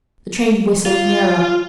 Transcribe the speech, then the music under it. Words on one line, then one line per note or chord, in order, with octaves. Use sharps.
The train whistled nearer.
F4